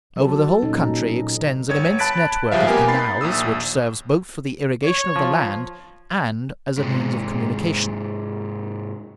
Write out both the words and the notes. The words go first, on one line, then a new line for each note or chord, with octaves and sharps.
Over the whole country extends an immense network of canals, which serves both for the irrigation of the land and as a means of communication.
F#3 A4
A#2 C#4 D#4
G1 C#5 G#6
A5 B5 F#6 A6 B6 D7
C#2 C#3 F3 G3 E5 F5
A#3 B3 G4 A#4 G#5
D#4 B5 A6 C7
A#1 D#2 D#6 E6
C#5
F3
G#2 C3